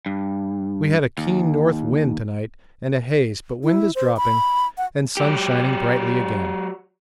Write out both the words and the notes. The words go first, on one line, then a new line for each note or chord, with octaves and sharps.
We had a keen north wind to-night and a haze, but wind is dropping and sun shining brightly again.
G2
D#2
E4
C5
B5
F#5
F#3 G4